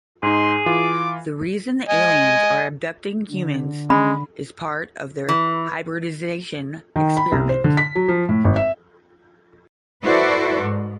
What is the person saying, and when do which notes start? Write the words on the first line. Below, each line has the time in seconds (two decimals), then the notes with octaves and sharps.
The reason the aliens are abducting humans is part of their hybridization experiment.
0.23 G#2 D#4 G#4 C6
0.66 E3 F4 D6
1.89 D#5 G#5
3.31 D3
3.90 G#3 C#4 B5
5.29 E3
6.96 D#3
7.17 B5
7.32 C2
7.49 C5
7.64 D3
7.77 B6
7.95 F#3
8.08 F3
8.29 A2
8.45 G#1
8.56 E5
10.03 E4 F#4 A4 B4 C5 D5
10.61 G#2